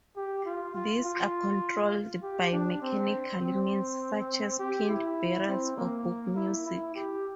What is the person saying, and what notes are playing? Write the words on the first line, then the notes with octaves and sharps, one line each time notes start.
These are controlled by mechanical means such as pinned barrels or book music.
G4
F4
F4
F4
G4
D4
C4
C4
G4
E4
C4
A#3
E4
E4
G4